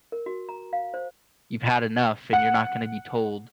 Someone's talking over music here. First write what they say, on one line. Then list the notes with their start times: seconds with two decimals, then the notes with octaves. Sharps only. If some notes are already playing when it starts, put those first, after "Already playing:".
you've had enough and you're not gonna be told
0.12 A#4
0.26 F#4
0.49 A#5
0.73 F5
0.94 C5
2.33 F#5